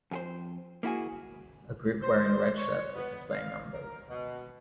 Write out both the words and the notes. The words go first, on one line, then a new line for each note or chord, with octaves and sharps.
A group wearing red shirts is displaying numbers.
F2 G#4 C5
A#3 E4 F#4 G#4
C5
C#5
B3
F5
A#4
B2